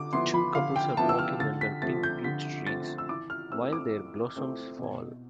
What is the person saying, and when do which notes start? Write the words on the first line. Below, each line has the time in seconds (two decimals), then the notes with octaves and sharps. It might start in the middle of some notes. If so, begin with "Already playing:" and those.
Two couples are walking under pink peach trees, while their blossoms fall.
Already playing: D3 D6
0.13 F3 B3 E4 C6
0.34 B5
0.55 D3 F5
0.76 G5
0.97 F3 B3 E4 A5
1.09 E6
1.19 F6
1.40 D3 A6
1.61 B6
1.82 F3 A3 C4 A6
2.03 G6
2.24 D3 B6
2.67 F3 A3 C4 A6
2.98 E6
3.09 E3 D6
3.30 F6
3.52 A3 C4 E4 E6
3.73 D6
3.95 E3
4.36 A3 C4 E4
4.78 B2